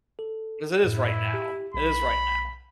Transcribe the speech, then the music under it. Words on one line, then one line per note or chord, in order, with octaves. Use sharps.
'Cause it is right now. It is right now.
A4
F#2 A2 E4
G4
B1 B5